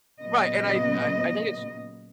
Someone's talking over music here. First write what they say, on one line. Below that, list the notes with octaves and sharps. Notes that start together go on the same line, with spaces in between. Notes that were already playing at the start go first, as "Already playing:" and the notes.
Right, and I I I think it's
A#2 C#3 F#3 B3 D#5